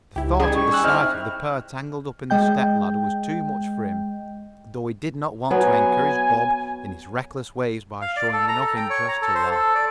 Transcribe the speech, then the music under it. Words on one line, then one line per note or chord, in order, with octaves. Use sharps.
The thought of the sight of the pair tangled up in the step-ladder was too much for him, though he did not want to encourage Bob in his reckless ways by showing enough interest to laugh.
C#2 E4 G4
D#3 G3 C#4 G#4 D#5 G#6
C#6
G#5 E6 F#6
C4 D#4 E4 F6
G#3 D#5 G5 G6
F#3 B3 G#5
F5
D5
A4
A#5
A4
G5
C#5
A#5
A4
C5
A4
D5